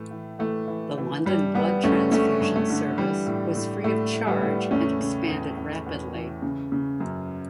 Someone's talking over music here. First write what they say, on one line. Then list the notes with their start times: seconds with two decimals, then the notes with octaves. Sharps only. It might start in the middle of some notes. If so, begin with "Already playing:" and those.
The London Blood Transfusion Service was free of charge and expanded rapidly.
Already playing: A2 E3 A3
0.11 E3
0.39 E3 A3
0.68 E3
0.98 E3
1.25 G2 G3
1.54 G2 G3 B3
1.84 G2 A3 C#4
2.11 D3 A3 C#4
2.41 G2
2.56 A3
2.70 D3
2.98 E3 G3
3.27 A2
3.55 A2
3.84 A2 A3
4.13 A2
4.27 G3 B3
4.41 A2
4.71 E2 A3 C#4
5.00 C#3
5.27 E2
5.57 E2
5.86 E2
6.14 E3
6.42 C#3
6.72 C#3
7.00 F#2